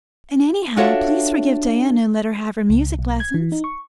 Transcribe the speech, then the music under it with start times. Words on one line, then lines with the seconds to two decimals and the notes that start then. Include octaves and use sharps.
And anyhow, please forgive Diana and let her have her music lessons.
0.76 D4 F4 F#4 A4 C#5 E5
2.70 C#2
2.99 B1
3.20 G#6
3.34 E3
3.52 D#4
3.64 C#6